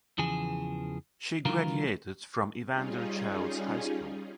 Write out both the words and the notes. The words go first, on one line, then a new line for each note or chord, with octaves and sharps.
She graduated from Evander Childs High School.
E2 C#3 E3 F3 G#4
C#2 D#3 E3 F#3 F4 A#4
G3 C#4 D#4 F4 G#4